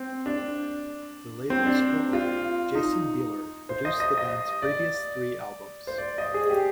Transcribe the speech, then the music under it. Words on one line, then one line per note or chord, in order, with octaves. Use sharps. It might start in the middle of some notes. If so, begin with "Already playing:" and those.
The label's co-owner, Jason Bieler, produced the band's previous three albums.
Already playing: C4
D4
C4
D4
F4
D#4
C5
D#5
D#5
D#5
D5
C5
D5
D#5
G#4
G4